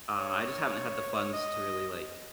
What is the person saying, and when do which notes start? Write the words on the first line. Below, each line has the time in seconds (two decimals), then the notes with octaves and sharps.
uh, I just haven't had the funds to really, like
0.18 C#5
1.33 D#5